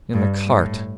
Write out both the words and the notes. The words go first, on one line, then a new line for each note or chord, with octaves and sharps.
In the cart.
G2
A2